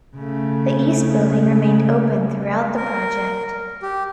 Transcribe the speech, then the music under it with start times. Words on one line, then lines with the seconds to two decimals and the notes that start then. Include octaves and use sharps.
The East Building remained open throughout the project.
0.16 C#3 A3
2.76 A#4
3.83 G4